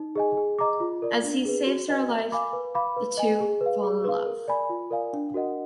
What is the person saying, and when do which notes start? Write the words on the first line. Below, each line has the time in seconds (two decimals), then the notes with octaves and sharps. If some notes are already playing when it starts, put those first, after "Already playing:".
As he saves her life, the two fall in love.
Already playing: D#4
0.16 G#4 D#5 G#5
0.37 G#4
0.59 D#5 A#5 D6
0.80 F4
1.02 A#4 D5
1.24 D4
1.45 G#4 B4
1.66 F#4
1.88 B4 D#5 G#5
2.09 A#4
2.32 F5 G#5 B5 D6
2.53 B4
2.75 F5 B5 D6
2.97 B4
3.17 D#5 G#5
3.40 G#4
3.61 B4
3.66 F5
3.84 G#4
4.04 B4 F5
4.26 A#4
4.48 D5 G#5 B5
4.70 F4
4.91 A#4 D5 F5 G#5
5.13 D4
5.34 F#4 A#4 D#5 F#5